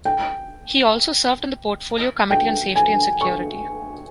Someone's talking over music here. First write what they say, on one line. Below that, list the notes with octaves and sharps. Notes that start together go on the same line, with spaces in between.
He also served on the Portfolio Committee on Safety and Security.
G5
G5
G#5
C#6